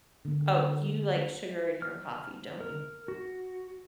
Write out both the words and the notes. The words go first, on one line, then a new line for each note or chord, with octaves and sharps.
Oh, you like sugar in your coffee, don't you?
D3 A#3
F6
A#4
F#4